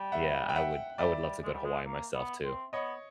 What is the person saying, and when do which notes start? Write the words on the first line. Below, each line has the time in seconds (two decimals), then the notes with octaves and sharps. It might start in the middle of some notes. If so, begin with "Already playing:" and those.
Yeah, I would I would love to go to Hawaii myself too.
Already playing: G3 G5
0.12 E5 F#5
0.49 G5
0.56 E5 F#5
0.98 G3 D5 E5
1.20 G3
1.43 G#3
1.54 G3
1.65 G#3
1.86 A#3
2.14 B3
2.44 C4
2.73 B3 C#5 D#5